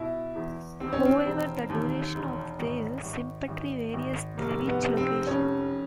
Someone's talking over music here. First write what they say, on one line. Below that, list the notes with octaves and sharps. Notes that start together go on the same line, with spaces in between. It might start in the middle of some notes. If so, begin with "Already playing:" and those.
However, the duration of their sympatry varies with location.
Already playing: B2 E4
E2
D#3 C4
C#4
C4
E1
D#2
E1
G#1
G#1
G#1
G#1
F1 A#3
B3
F1
C4
F2 C#4